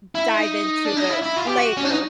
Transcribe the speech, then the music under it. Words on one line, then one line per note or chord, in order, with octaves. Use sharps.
m dive into it later,
E4
D#4
D4
D#4
E4
E4
F4
G4
F#4
C#4
D4
D#4